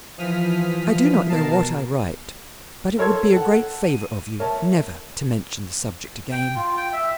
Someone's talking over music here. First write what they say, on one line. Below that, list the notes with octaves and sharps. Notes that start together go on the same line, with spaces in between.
I do not know what I write, but it would be a great favour of you never to mention the subject again.
E3 F3 D#6 F6 B6
B2 A#4 A5 C7
A4 A#4 C#5 C6 E6 G#6
A4 F#5
D#7
A#4 C#5 E5 A5
G5
F4
G5
E5